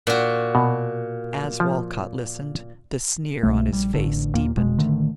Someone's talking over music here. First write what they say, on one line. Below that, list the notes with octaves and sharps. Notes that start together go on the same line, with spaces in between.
As Walcott listened, the sneer on his face deepened.
A#2 F#4
B2
F3
C2 B2 A3
A#1 G3
A1 D3
D#2 A#2 A#3
F1 B2 G#3
A1 D3 D#3 A3